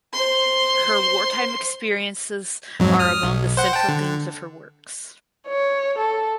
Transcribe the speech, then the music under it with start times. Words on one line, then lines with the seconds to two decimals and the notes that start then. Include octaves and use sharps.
Her wartime experiences are among the central themes of her works.
0.13 C5 C6
2.80 F2 G#2 F#3
2.99 D#6 F6
3.23 B1
3.57 C5 F#5
3.73 G5 A5
3.89 D3
5.48 C#5
5.98 A4